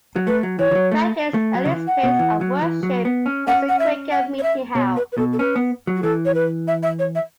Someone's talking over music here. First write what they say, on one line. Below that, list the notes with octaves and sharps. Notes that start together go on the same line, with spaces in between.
Frenchay's earliest place of worship was the Quaker Meeting House.
F#3
A3 B4
F#3
E3 C#5
E3
F#3
A3
A3
F#3
C#3
E3
F#5
B2
E3
F#3
E3
F#3
B3
C#4
C#4 F#5
F#5
E5
F#5
C#5
E5
B2 C#5
B4
B4
B2 A4
A4
C#4 B4
B3
F#3
F#4
E3 A4
C#5
B4
E5
E5
C#5
E5